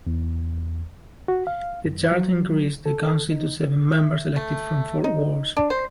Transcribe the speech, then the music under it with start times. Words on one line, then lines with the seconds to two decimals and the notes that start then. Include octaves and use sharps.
The Charter increased the Council to seven members elected from four wards.
0.07 E2
1.28 F#4
1.47 F5
1.85 F#2
2.12 F#3
2.86 A4
3.31 D#4
3.92 E5
4.36 A3
5.04 D#4
5.57 D4
5.70 C5